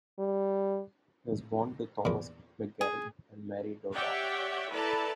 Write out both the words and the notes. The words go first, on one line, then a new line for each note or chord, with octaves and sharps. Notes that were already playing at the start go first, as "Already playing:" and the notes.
He was born to Thomas McGarry and Mary Dowdall.
G3
E2 A#2
G#4
G4 C#5 D5 E5 F#5 G5
E4 A4 B4 D5 A5 A#5